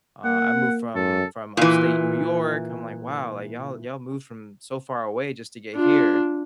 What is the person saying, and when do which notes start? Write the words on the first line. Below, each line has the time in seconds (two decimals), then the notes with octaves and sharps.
uh, I moved from from Upstate New York." I'm like, "Wow, like, y'all y'all moved from so far away just to get here."
0.24 A#3 F#5
0.95 F#2 A4
1.57 A#2 E3
5.76 D4 F4